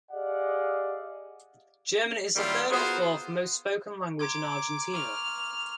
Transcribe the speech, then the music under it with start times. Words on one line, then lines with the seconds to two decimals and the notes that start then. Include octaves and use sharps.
German is the third or fourth most spoken language in Argentina.
0.11 G4 G#4 D5 D#5 F5 F#5
2.36 D#3 F#3 G3 A#3 E4 F4
2.71 B3 F4 F#4 G#4 A#4 C5
4.19 A#5 C6 D6 G#6
4.94 C#6 D6 F6